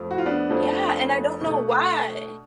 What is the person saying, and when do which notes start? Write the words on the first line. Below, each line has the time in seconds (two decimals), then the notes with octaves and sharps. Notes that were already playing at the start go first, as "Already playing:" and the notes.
Yeah, and I don't know why.
Already playing: F2 F3 A3
0.11 F#4
0.18 F4
0.26 B3 D4
0.49 F2 F3 A3
1.41 B2 A3